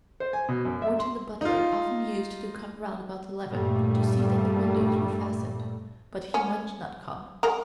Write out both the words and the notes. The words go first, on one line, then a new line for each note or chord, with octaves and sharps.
Morton the butler often used to come round about eleven to see that the windows were fastened, but he might not come.
C5
G#5
B2
F#2
E5
C6
D#4 F4
G2 A#2 G3 A3
C#4
G#3 A#4